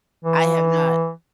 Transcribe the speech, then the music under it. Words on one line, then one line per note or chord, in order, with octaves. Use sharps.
I have not.
E3